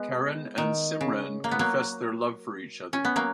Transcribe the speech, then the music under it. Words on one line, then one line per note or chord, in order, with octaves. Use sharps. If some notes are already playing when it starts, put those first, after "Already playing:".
Karan and Simran confess their love for each other.
Already playing: G#3 B3
D#3
C#3
A#3
B3
F#3 A#3
C#4
B3
F#3 A#3